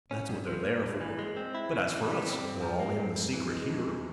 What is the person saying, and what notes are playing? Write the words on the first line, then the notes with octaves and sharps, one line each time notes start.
That's what they're there for; but as for us--we're all in the secret here.
C#4
G2
F3
A#3
G2
E3
G#3
C4
E4
C#3
E3
G3
C4
G2
F3
A#3
G2
F2
E3
G#3
F2
E2